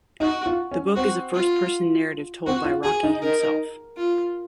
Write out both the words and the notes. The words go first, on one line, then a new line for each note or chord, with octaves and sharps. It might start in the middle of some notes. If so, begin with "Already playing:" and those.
The book is a first-person narrative told by Rocky himself.
D#4 F#4
F4
C#4
C4 F#4
F4
C4 F#4
F4
F#4 G#4
D#4
A#4
F4